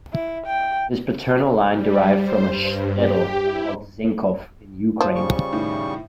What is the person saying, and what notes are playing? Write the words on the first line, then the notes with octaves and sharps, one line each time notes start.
His paternal line derived from a shtetl called Zenkhov, in Ukraine.
E4
G5
G3
C5
G2
G4
E4
F3
C#3 G3 C#6
A2 D#3